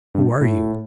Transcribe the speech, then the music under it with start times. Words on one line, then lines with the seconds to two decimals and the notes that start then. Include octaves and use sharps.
"Who are you?"
0.15 G2
0.41 A2